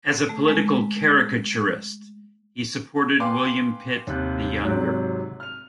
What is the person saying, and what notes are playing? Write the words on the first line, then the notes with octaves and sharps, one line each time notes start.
As a political caricaturist he supported William Pitt the Younger.
A3
G#3
B4 F5 G5 G#5 C6 D6
D#2 C3 F#6
G#1 G#2 C3 F#3 F#6
F6 F7